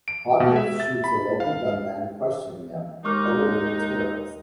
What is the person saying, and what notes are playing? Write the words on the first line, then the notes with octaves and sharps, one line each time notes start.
Hawkins shoots a local gunman questioning him, alerting the terrorists.
D7
B2
E5
A6
B5
F5
D#2 G#3 D#4 C#6 D6 F6